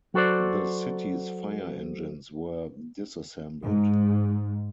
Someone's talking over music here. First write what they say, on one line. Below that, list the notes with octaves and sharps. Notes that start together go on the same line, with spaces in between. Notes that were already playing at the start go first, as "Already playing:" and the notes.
The city's fire-engines were disassembled.
F#3 F#4 A4 C5 D5
G#2